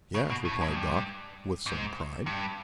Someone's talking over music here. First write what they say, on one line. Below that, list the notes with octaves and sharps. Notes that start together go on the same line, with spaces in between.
"Yes," replied Dot, with some pride.
C#3
B2
A2
A2
G#2
G2
G#2
G2